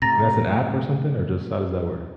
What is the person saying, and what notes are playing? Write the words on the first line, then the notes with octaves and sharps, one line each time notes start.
And that's an app or something, or just how does that work?
A2 C3 A#5 A6 A#6